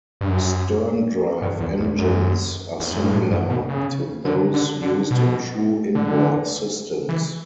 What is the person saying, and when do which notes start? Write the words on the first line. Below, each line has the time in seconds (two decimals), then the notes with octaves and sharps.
Sterndrive engines are similar to those used in true inboard systems.
0.21 G2
0.29 F#2
1.42 G2
1.60 E2
1.80 E2
1.99 F#2
2.80 E2
2.91 F#2
3.01 G2
3.12 A2
3.31 G2
3.50 B2
3.68 C#3
4.25 D3
4.54 D3
4.82 D3
5.11 B2
5.95 D3
7.09 E3